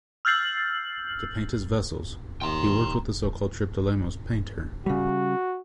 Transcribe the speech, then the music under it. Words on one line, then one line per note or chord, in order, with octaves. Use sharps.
To paint his vessels, he worked with the so-called Triptolemos painter.
E6 F6 G6 A6 C7 F#7
D#2 G5 A#5 C6
C#3 G3 F#4